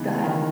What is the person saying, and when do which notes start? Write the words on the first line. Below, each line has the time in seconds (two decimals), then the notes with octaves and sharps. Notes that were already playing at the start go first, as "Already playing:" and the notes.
Go ahead.
Already playing: C#3 E3 B3 D#4
0.24 D#3